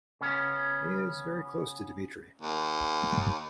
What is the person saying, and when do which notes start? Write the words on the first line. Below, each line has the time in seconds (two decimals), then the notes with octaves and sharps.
He is very close to Dmitri.
0.21 C#3 B3 C#4
2.41 D#2